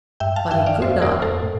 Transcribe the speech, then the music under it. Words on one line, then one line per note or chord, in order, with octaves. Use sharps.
But he could not.
G2 E5 G5
F5 A5
G2 E5 G5
D5 F5
F2 C5 E5
A#4 D5
F2
A4 C5
A2